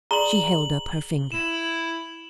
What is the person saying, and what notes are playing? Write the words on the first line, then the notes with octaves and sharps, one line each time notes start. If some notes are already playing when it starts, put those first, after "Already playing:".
She held up her finger.
G#4 D5 A#5 C6 F#7 G7
E4 E7